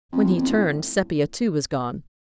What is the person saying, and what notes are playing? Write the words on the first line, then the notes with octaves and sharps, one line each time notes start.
When he turned, Sepia too was gone.
F2
E2
F2
A2